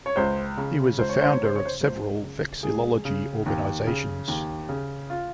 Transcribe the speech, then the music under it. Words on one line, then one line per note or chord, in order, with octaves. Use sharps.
He was a founder of several vexillology organizations.
C#5
C#2 C5
C#3
C#2 C5
C#5
C5
C#5
C#3 C5
C#5
C5
C#2 C5
C#3
C#2 G#4
C#3
D#2
C#3
D#2
C#3
F4